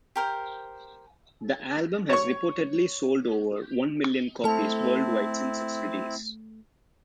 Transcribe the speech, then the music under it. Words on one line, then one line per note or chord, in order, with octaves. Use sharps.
The album has reportedly sold over one million copies worldwide since its release.
G4 A#4 C5
C#5 C#6
A3 C4 E4 A4 A5